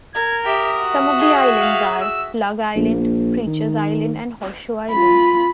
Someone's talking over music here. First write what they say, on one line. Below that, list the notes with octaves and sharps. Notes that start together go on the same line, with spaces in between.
Some of the islands are Plug Island, Preachers Island, and Horseshoe Island.
A#4 G#6
G4 E5 D#6
F#4 E5
G#4
F5
E6
A#1
D#3
F4 B5